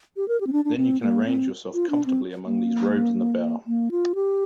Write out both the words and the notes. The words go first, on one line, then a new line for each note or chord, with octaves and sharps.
Then you can arrange yourself comfortably among these robes in the bow.
G4
A#4
G4
C4
D4
D4
C4
A#3
C4
F4
D4
C4
A#3
A#3
F4
G4